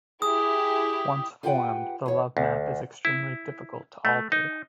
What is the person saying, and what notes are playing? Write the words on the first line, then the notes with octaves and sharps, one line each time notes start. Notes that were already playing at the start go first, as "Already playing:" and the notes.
Once formed, the lovemap is extremely difficult to alter.
E4 G4 G#4 D#6
F4 G4 G#4 B4 F#5 G5
E2 C#5
D2
E4
A3
D#4